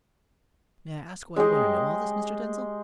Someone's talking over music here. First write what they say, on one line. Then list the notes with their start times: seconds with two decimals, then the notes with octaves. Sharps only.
"May I ask why you want to know all this, Mr. Denzil?"
1.36 G#3 G4 G#4 D#5